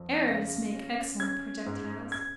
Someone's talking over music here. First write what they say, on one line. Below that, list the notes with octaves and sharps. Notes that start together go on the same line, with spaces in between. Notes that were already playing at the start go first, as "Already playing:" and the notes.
Errors make excellent projectiles.
Already playing: F2
C#3 A#6
C#4
C#4 G#6
G#2
G#6